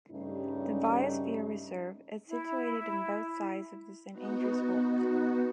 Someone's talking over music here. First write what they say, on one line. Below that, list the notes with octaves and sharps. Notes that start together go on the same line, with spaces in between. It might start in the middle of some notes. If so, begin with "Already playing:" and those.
The biosphere reserve is situated on both sides of the San Andreas Fault.
G2 C#3 G3 A3 C#4 D#4
E4
B3 D#4 F#4